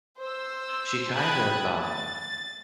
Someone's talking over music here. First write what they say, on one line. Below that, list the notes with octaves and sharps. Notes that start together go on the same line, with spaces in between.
she kind of, um,
C5 E6
G5 B5 D#6 F#6 G#6 A6
A6